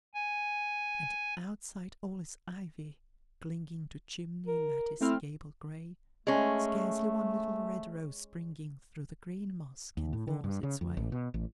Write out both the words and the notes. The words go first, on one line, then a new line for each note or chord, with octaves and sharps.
And outside all is ivy, clinging To chimney, lattice, gable grey; Scarcely one little red rose springing Through the green moss can force its way.
G#5
A#4
A3 C4 E4 F6
G#3 A3 C#4
D#2
A2
D3
G2
C#3
F2
A1
B2
A1